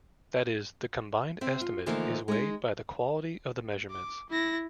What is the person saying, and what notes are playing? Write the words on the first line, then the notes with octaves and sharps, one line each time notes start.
That is, the combined estimate is weighted by the quality of the measurements.
C4 E5
F4
D3 E3 F3 A3 A#3 D#4
G#3 D#4
D6
E4 A#6